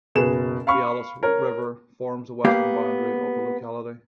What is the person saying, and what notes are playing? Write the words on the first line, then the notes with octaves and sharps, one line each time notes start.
The Alice River forms the western boundary of the locality.
F#1 B2 G#4 B4 E7
F5 B5 C#6 F6
A#4 C#5
A#3 B3 G4 F5